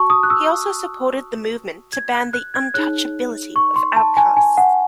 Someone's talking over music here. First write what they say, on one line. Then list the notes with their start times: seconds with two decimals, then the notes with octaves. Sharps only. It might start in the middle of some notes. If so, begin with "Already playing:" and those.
He also supported the movement to ban the 'untouchability of outcasts'.
Already playing: F#4 A5 C#6
0.10 D#6
0.23 F#6
0.30 E6
1.93 G#6
2.13 F#6
2.33 F#6
2.54 G#6
2.74 D#4 G#4 C#5 F#6
3.56 C#6
3.76 C6
3.96 A5
4.17 G#5
4.37 G#5
4.57 F#5